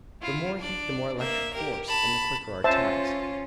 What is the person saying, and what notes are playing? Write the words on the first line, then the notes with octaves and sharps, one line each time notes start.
The more heat the more electric force, and the quicker our task.
E4 F4
D4 D5
A#3 E5
G4 A#4
A5 B5
C#4 F4 C5 E5 A5